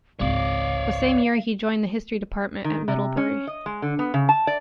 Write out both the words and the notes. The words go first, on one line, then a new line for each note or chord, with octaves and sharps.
The same year he joined the history department at Middlebury.
G#1 C#2 C#5 D5 F5
D#3
C3
C#4
D#5
G#3
D3
B3
C#3
A5
D5